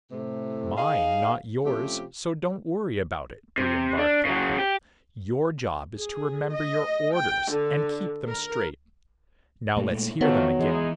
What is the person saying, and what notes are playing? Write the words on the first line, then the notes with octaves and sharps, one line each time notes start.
"Mine, not yours, so don't worry about it," Brion barked at him. "Your job is to remember your orders and keep them straight. Now--let's hear them again."
A2 C3 A3
D#4 G#4 D#5 F5
C3 F3 A3 C#4 F4 G4
C3
D4
C#3 F#3
G4
G#4
D#5
G5
D3
A#4
A#2 G#3 A3
F2 D#3 F#3 A3 B3
E3 G#3 D#4 G#4